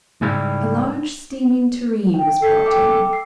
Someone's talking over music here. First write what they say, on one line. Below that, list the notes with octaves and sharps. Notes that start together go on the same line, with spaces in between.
A large steaming tureen was brought in.
G#2 C#3 G3 E4
G5
A4 G6 B6 C7
E5 G5 D6
E6 C7